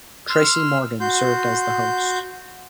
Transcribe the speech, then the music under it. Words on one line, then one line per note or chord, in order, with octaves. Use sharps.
Tracy Morgan served as the host.
C6 E6 F6
F#4 C6 G6